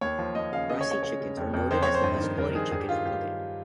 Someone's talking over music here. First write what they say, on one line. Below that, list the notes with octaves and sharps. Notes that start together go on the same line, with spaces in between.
Bresse chickens are noted as the best quality chicken for cooking.
D#2 C#5
F3
D#2 D#5
C#3 F5
C#3 D#5
C#5
C#3
C#5
C#3 C#5
C#3
F2
F2
F2 C5
C#5
F2
C5
G2
D#3
G2 A#4
D#3 G#4
G2 G#4
G4
D#3 F4
G2 G4
D#3